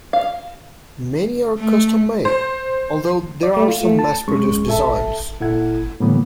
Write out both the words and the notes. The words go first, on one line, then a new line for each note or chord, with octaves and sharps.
Many are custom-made, although there are some mass-produced designs.
F5
A3
C5
D5
A3
F4
A3
A5
F#2 G#3 C#4 G#4 C#6
A4 E5 A5
A#2 E4 A4 F#5 G#6
A2 D3 E3 G3 A#3 B3